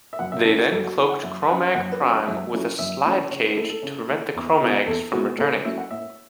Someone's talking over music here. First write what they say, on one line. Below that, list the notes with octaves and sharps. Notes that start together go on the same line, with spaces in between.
They then cloaked Kromagg Prime with a Slidecage to prevent the Kromaggs from returning.
E5
F#2 F#5
E5
E3 C#4 E4 A4
F#4
F#2 A4
F#4
E3 C#4 E4
F#5
F#2 E5
F#3 C#4 F#5
F#2 F#5
B4
F#3 C#4
C#5
F#2 E5
F#3 A3 C#4 E4
F#2 E5
F#3 A3 C#4 E4
C#3 C#5
B4
A3 E4 A4
A4
C#3
A3 E4
E2
B2 B3 E4
E2 A4
B2 B3 E4 F#4
A2 A4
B4
F#3 A3 C#4 E4 E5
F#5
A2 E5